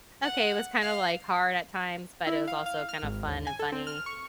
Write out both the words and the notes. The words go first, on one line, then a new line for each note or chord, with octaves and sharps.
okay, it was kinda like, hard at times, but it was also kinda fun and funny
F#5
F5
E4
F5
F5
F6
G#1
D#2
G#5
A4
C4
F6
C#6